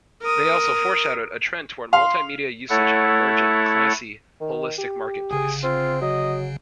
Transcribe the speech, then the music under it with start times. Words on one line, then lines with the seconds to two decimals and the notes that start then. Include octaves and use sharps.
They also foreshadowed a trend toward multi-media usage in an emergent, classy, holistic marketplace.
0.22 A#4 D#6
1.93 F5 C6
2.70 A3 E4 A4 C#5 F#5
4.40 D#3
4.78 G4
5.31 G1 C#3 G#4
5.64 C4 F4
6.02 F#3 D#5